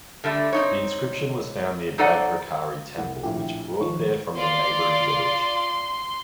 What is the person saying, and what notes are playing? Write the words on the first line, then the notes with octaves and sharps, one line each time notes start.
The inscription was found near Bhadrakali Temple which brought there from the neighbouring village.
D3 G3 A3
C4 D#4 C#5
F#3 D#4 A4 C5 D5 F#5
C2 F#5
A#1 A2 G4
D#3 F3 C#6
F4 D5 C6